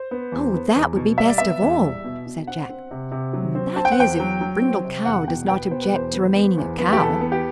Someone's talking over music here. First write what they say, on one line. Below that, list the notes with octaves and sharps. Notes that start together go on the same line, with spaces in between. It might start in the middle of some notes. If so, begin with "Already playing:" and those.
"Oh, that would be best of all," said Jack, "that is, if Brindle Cow does not object to remaining a cow."
Already playing: C5
B3
E2
B3
E2
B2
G3 E5
D5
B3 E5
E2
G3
B2
B2
C4 F#5
C4
C3
C3
F#3
C4
C4 A5
G5
F#5
E2 G5
F#3
F#3
C4
C3
E2 F#5
B2 G5
B3 G5
B2 C5
B4
E2 C5
B3
B3
E2
B3
G4
E2 A4
B3
G4